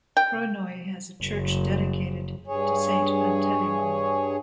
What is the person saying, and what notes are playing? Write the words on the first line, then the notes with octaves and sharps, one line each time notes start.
Krounoi has a church dedicated to Saint Panteleimon.
G5
F#1
G2 G#4 C#5